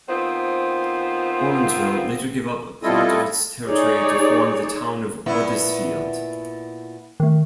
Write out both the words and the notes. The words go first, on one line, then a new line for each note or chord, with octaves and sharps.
Orangeville later gave up part of its territory to form the Town of Wethersfield.
D#3 B3 C4 F4 C5
G3 C4 E4 F4 A4 D#5
D#4 G#4 C#5 D5
A#2 B3 E4
D#3 A3